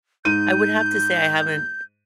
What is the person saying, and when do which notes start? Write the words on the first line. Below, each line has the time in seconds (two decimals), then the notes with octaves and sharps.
I would have to say I haven't
0.25 G#2 G6 D#7